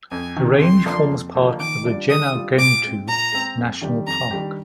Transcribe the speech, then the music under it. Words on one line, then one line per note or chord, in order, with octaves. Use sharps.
The range forms part of the Gennargentu National Park.
F2 G#5
C3 D#3
F2 C6
D3 F3 A#3 D4
F2
D3 F3 A#3 D4
D#3 D6
G3 D4 F4
D#3 D#6
G3 D4 F4
A#2 D6
G#3 C4
A#2 A#5
G#3 C4
F2
D#3 G3 D4 G4
F2 A#5
D#3 G3 D4 G4